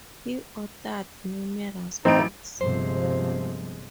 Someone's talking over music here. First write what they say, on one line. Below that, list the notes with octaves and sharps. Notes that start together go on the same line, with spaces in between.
He authored numerous books.
A1 C4 D#4 D7
G1 C3 F3 G#3 C5